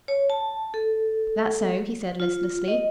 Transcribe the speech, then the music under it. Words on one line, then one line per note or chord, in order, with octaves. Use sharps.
"That so?" he said listlessly.
C#5
A5
A4
F4
D#5